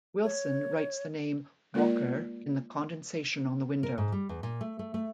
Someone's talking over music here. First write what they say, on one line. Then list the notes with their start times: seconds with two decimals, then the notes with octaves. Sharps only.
Wilson writes the name 'Walker' in the condensation on the window.
0.24 C#5
1.74 G#3 A#3 F4 A#4 D5
3.83 A#4
3.98 G#2
4.12 G3
4.29 E2
4.43 A#2
4.61 A3
4.79 A3
4.94 A3